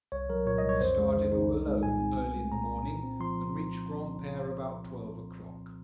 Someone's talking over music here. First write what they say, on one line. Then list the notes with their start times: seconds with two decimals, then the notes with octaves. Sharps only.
He started all alone, early in the morning, and reached Granpere about twelve o'clock.
0.12 C2 C#5
0.30 F#3 A#4
0.46 A#2 C#5
0.58 D#5
0.63 C2
0.69 C#5
0.81 F2 C5
0.98 G#3
1.15 D#3
1.32 D#4
1.49 C2
1.66 G#3
1.83 A#2 G#5
2.00 C4
2.17 C2
2.35 G#3
2.52 A#2 A#5
2.69 C2
2.86 A#2
3.03 C4
3.20 F3 C6